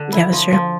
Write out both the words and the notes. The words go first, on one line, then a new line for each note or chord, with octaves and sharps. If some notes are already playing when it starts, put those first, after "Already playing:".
Yeah, that's true.
Already playing: D3
E4
F3
F3